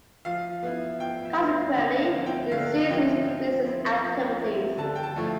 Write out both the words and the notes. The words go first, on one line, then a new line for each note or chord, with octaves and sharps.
Consequently, he ceased his business activities.
F3 F5
B3 E4
F3 G5
E5
B3 E4
F5
D3 E5
F5
F3 C4 E4
G5
D3 F5
F3 C4 E4 G5
F3
C4 E4
F3
C4 E4
D3 A5
G5
A5
F3 A3 E4